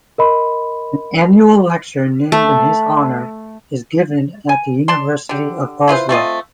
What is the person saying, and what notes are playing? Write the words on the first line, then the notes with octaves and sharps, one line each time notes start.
An annual lecture, named in his honor, is given at the University of Oslo.
A#4 D#5 B5 C6
A3
G#5
D5 A5 C6
D3 G4
E4 F4 B4 C5
A3 C4 F4 D#5